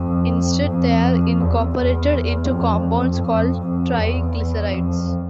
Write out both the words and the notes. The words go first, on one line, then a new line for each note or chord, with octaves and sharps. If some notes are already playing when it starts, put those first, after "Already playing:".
Instead, they are incorporated into compounds called triglycerides.
Already playing: F2
F2
E2
E2
F2
F2
F2
E2
F2